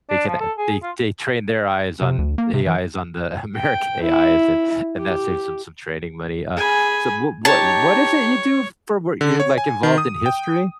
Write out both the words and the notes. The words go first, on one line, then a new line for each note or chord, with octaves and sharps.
they can they they train their eyes on AIs on the American AIs and and that saves them some training money. Uh, so what what what is it you do for wor you're, like, involved in history?
D4
F3
A4
G#4
F4
C3
D2
A#3
C3
E3
G5
E4
G4
G#4 G#5 B5
D#4 G4 C#5 A5
D3
C#5
G#5
D#3
D#6
G5